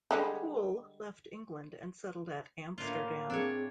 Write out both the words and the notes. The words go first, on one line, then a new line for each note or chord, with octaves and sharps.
Poole left England, and settled at Amsterdam.
D3 G3 G#3
A2 D3 A#3 F4
C4 D4 G#4 C#5